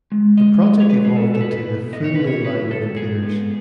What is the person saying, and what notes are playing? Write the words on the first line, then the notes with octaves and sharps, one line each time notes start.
The project evolved into the Foonly line of computers.
G#3
G#3 D#5
G#3 D#5
C#5
G#3 B4
G#4
B3 A4
A4
B2 B4
B2
B3 D#5
C#5
B2 B4
C#5
F#3 B4
G#2 A4
G#2 G#4
B3